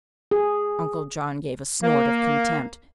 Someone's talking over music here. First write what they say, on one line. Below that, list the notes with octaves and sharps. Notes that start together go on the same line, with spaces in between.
Uncle John gave a snort of contempt.
G#4
A#3